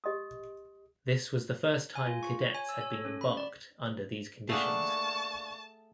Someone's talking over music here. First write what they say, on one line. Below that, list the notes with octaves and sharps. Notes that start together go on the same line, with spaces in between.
This was the first time cadets had been embarked under these conditions.
G4 D#5 C6 D#6
G#5
F4
C#6
C#5
G#5
E6
C#5
A4
C#4
B5
D5
A3 A#3 D4 G#4 F#5 A5 C#6